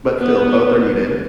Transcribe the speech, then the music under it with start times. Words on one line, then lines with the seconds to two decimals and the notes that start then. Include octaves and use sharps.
But still, both are needed.
0.19 B3